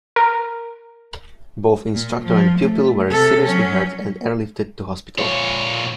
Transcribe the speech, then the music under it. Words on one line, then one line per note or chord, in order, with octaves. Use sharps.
Both instructor and pupil were seriously hurt and airlifted to hospital.
A#4
A#2
F3
A3
C3 A4
F#3 C#4
A#2 C#5